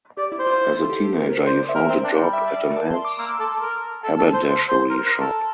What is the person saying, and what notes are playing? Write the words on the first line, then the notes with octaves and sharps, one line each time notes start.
As a teenager he found a job at a men's haberdashery shop.
G4 D5
E4
C5
F4
E4
F4
A4
G4
G4
A#4
C5
C5 D5
E5
A#4
C4 C5
D4
G5
G3
E5
D5
A#4
A5
C6
D6
A#3 E6
A4
A#4
A4
A4
C5
C5 C6
C5
A#4
A#4
A4